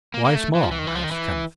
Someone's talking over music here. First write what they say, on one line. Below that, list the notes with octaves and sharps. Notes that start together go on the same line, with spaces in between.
"Why small?" asked Kenneth.
A#3
A#3
A3
E3
F3
E3
D#3
E3
F3
D#3
E3